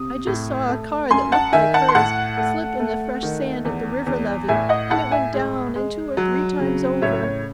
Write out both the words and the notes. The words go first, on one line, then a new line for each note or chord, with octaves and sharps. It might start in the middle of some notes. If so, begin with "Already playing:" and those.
"I just saw a car that looked like hers slip in the fresh sand at the river levee, and it went down, and two or three times over."
Already playing: C3 D#6
A2
A3
F#2 G#5 C6
F#5 A5
D#3 E5 G#5
F#5 A5
C6
A2 F#5 A5
A3
A3
D#3
E2
E2
A2 E5 G#5
D#5 F#5
A2 F#5 A5
E5 G#5
G#3
G#3
F#3
C#3
A2 C#5 E5
C#5